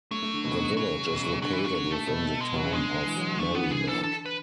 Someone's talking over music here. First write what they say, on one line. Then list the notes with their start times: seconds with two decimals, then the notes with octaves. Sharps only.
The village is located within the Town of Merrimac.
0.11 F#3 A3
0.22 A3
0.34 D3
0.44 B2
0.61 D3
0.73 D3
0.77 C#3 F#3
1.10 B2
1.21 C#3
1.32 C#3
1.42 D3 F#3
1.53 E3
1.64 F#3
1.75 F#3
1.91 A3
2.07 B2
2.41 G#3
2.54 B2 F#3
2.63 C#3
2.73 D3 G#3
3.05 E3
3.16 F#3
3.27 F#3
3.39 D3 A3
3.49 E3
3.55 D3 B3
3.71 D3 G#4
3.88 E3 A4
4.03 D3 A4
4.26 B4